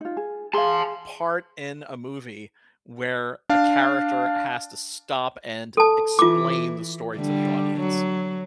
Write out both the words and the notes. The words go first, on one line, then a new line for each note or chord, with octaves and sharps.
part in a movie where a character has to stop and explain the story to the audience.
D#4 F4
G#4
G#4 F5 A5 C6
D4 F5
A4 A5
E3 F4 D6
D3 G3 D4
F#3